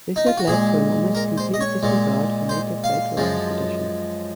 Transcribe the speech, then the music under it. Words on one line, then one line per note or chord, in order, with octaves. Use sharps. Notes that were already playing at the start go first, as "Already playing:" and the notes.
This had led to an almost complete disregard for native folklore and tradition.
D#4
F4
F#4
A#2 G#3 G#4
A#4
C5
D#5
C#5
A#2 G#3
C5
F5
F#2 F3 G#3